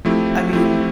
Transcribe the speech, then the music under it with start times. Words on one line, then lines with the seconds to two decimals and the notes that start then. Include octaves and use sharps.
I mean,
0.05 F3 A3 C4 E4 G4
0.53 F3 A3 C4 E4 G4